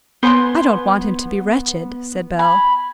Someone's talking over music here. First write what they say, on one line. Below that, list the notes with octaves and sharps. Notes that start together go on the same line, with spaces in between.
"I don't want him to be wretched," said Bell.
B3 C5 G#5 C6
G#5 B5